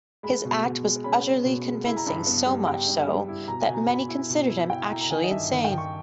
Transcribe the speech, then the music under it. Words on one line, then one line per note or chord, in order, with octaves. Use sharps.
His act was utterly convincing, so much so that many considered him actually insane.
G#3 B5
B2
B2
G#3
C#4 B5
C#4
B2
G#3
E4 B5
A#5
G2 B5
B3
G3
G3 G5
G2
G3
E4
B2 A#5
G#5
B2
A#5
B2 B5
E4
B2
E4
E4 G5
E4 A#5
A#5
D#3 G#5
D#5
G2 E5
D#3
G5
D#3
C#6